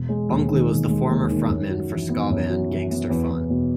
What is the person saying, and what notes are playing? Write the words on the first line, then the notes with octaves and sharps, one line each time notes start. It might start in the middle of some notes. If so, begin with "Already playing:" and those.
Bunkley was the former frontman for Ska band Gangster Fun.
Already playing: E1
G#3
D#2
D#3
E1
G#3
D#2
D#3
F#2
F#4
E3
B3
F#2
F#4
E3
B3
E2
E2
B2